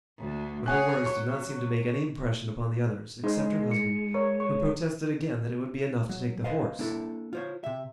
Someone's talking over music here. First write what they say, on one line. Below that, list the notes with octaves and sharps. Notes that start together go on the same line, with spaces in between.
But her words did not seem to make any impression upon the others, except her husband, who protested again that it would be enough to take the horse.
D2 D3
G#4 C#5 F#5 G#5 F#6
F#3 C#6
G#3 D#4 G#4 C5 D#5
C#7
A#4 C#5 D5
C#5 C#6
F#3
B4 C5 D#5 F5
A#3 D4 E4 A4
F4 C5 C#5
C3 E5